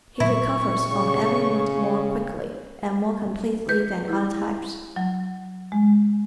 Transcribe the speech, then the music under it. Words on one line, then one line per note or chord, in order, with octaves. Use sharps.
He recovers from every mood more quickly and more completely than other types.
A#2 F#3 E4 C#6
C#3
B4 G6
E4
F#3
G#3